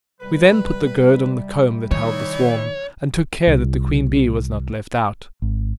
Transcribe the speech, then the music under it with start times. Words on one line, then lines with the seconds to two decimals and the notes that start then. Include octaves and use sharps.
We then put the gourd on the comb that held the swarm, and took care that the queen bee was not left out.
0.20 C3 G3 B4
1.91 D#3 E3 D#4 E4 C#5
3.47 C2
5.42 G#1